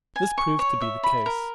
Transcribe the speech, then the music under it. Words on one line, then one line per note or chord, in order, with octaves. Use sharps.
This proved to be the case.
G#5
C#6
C#5
E5
B5
A#4